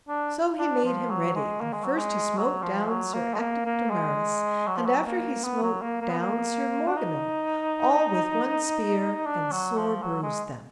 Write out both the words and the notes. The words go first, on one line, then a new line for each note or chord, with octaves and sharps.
So he made him ready, and first he smote down Sir Ector de Maris, and after he smote down Sir Morganor, all with one spear, and sore bruised them.
D4
D4
F3
F#3
G#3
A#3
G#3
F#3
G#3
F#3
F3
F#3
A#3
G#3
A#3
A#3
G#3
F#3
F3
F#3
A#3
B3
F#3
A#3
A#3
B3
A#3
D4
D#4
D4
F#3
F3
F#3
G#3